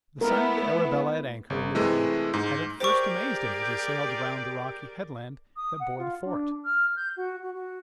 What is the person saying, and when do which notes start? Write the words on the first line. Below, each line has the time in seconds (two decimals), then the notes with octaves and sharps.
The sight of the Arabella at anchor in the bay had at first amazed him as he sailed round the rocky headland that bore the fort.
0.21 A3 B3 E4 A#4
1.50 G1
1.75 C3 E3 G#3 A3
2.34 G#2
2.80 G4 G#4 A#4 C5 D5 C#6
5.56 D#6
5.80 F#5
5.98 F4
6.24 D4
6.65 F6
6.96 G6
7.17 F#4
7.42 F#4
7.54 F#4